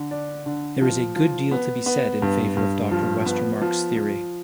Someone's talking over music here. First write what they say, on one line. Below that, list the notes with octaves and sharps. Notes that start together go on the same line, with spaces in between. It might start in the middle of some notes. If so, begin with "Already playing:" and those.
There is a good deal to be said in favor of Dr. Westermarck's theory.
Already playing: D3
D4
D3
F3
F3
B3
B3
G2
G2
F3
B3
F3
F3